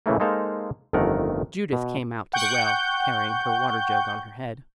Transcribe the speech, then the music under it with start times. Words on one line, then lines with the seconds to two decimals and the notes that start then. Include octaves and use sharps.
Judith came out to the well, carrying her water-jug on her head.
0.06 A2 C#3 E3 A3 A#3
0.20 G#3 A#3 D#4 A4 C5 F5
0.93 G1 F2 D#3 A3 A#4 F#5
1.73 B2
2.33 F#5 G5 C#6 G6